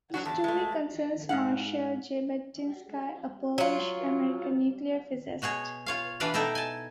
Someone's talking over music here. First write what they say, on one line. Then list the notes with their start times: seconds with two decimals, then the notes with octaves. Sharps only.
The story concerns Marshall Zebatinsky, a Polish-American nuclear physicist.
0.14 F#3 D4 F#4
0.25 E2 A5
0.44 G#3 A3
1.29 G#2 F5 F#5
3.58 F#3 F4
5.42 B2 F#4 G#4 C#5
5.86 F4 C#5 F5
6.20 E3 D4 B4 D5 F5
6.34 B2 D#4 E4 A4 G5 A#5
6.55 G#5 A5